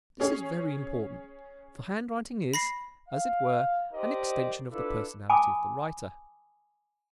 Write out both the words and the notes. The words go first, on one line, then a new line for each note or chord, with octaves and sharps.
This is very important; for handwriting is, as it were, an extension of the personality of the writer.
C#4 G#4 C#5
B5 A#6 C7
F5
D#4 G4 A#4 C5 D5 D#5
D4 E4 F4 A4 B4
G#5 A5 B5 D6 D#6